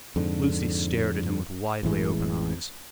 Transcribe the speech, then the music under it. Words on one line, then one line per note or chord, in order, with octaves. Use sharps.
Lucy stared at him with widely-open eyes.
F2 G#2 D3
A1 A2 E3 G#3